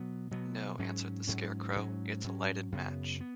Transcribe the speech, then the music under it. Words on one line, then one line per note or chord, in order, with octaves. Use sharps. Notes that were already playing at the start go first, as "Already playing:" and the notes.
"No," answered the Scarecrow; "it's a lighted match."
Already playing: B2 F#3 B3
B2 F#3 B3
G#2 F#3 C#4
G#2 F#3 C#4
G#2 F#3 C#4
G#2 F#3 C#4
F#2 C#3 B3
B3